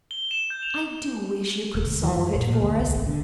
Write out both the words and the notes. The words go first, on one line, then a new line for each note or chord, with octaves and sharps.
I do wish you could solve it for us.
G7
E7
G6
F7
E1
D2
E3
F#2
A#1
A#2
D2
C2
G#1
D3